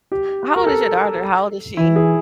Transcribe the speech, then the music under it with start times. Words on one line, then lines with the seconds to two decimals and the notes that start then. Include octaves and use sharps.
How old is your daughter? How old is she?
0.12 G4
0.56 A#4
0.67 A4
1.77 E3 E4
1.96 G#4